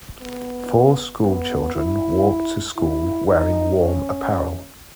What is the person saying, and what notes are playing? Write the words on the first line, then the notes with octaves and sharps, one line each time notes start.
Four school children walk to school wearing warm apparel.
B3
B3
E4
E4
D#4
C#4